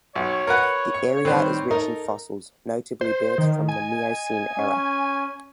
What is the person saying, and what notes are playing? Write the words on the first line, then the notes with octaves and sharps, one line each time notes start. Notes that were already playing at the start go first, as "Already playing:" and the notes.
The area is rich in fossils, notably birds from the Miocene era.
B1 C#5
A#4 B4 F#5
C#6
D#3 G3 C4 B4 C5
D#4 A4 A#4
C5
D#3 D#5
G#5
C#4